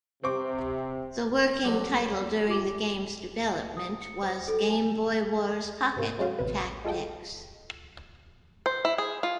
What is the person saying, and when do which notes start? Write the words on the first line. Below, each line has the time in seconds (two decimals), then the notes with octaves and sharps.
The working title during the game's development was "Game Boy Wars Pocket Tactics".
0.23 C3 C4 C#6 D6
1.65 D3 F#3 G3
2.47 F4 G4 D6
3.77 D#6
4.02 C#7
4.23 C5
4.48 A4
4.70 G#5
5.96 G#2 C3 A#3
6.18 F#3 G#3 A3 C#4 F#4 F5
6.39 A1 D2 C3 B3 B4
6.84 G#3 F4 A4 D#5 G5
8.66 C5
8.85 E4
8.98 G#4
9.23 F4